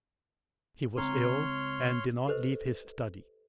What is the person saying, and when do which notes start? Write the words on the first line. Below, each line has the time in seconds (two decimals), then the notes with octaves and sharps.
He was ill and did not leave his study.
0.97 C#2 C4 C#5 A#5 C6 F6
2.27 G4 A4 B4 C5 D#5